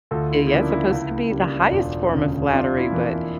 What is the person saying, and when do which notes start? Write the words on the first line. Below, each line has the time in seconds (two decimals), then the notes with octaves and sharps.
Yeah, it's supposed to be the highest form of flattery, but
0.11 D2 F4 A4
0.31 E4
0.47 E4
0.51 C#3 F3 A#3 D4
0.70 E4
0.91 C#2 E4
1.11 E4
1.30 C#3 G3 A#3 D4
1.51 E4
1.71 E1 D4 F4
2.11 D2 C#3
2.51 F2 D4 F4
2.77 E4
2.91 E3 A#3
3.04 E4